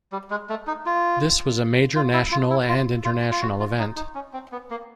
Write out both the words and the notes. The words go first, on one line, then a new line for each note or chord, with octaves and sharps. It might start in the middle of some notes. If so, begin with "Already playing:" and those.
This was a major national and international event.
G3
G#3
A3
D#4
F4
F4
E4
F4
E4
F4
F4
F4
F#4
F4
D#4
D#4
C#4
C4
B3
A#3